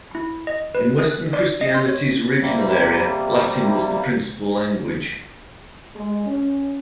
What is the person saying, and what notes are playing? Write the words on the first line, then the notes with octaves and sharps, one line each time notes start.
In Western Christianity's original area Latin was the principal language.
E4
D#5
B4
G#4
F#6
D5
D#5
C6
C#5
C3 G3 A#3
G#3
C#4